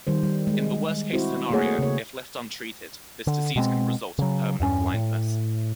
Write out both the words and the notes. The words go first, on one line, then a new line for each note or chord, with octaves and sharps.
In the worst-case scenario, if left untreated, this disease can result in permanent blindness.
D#3 G3 C5
G3
G#3
C4 E4 F#4 C5
A3 A#3 F#4 G#4 C#5 F#5
C#3 C#5
D3
B2 G#3 C4
C#3 F#3
E2 G2 C#4
A2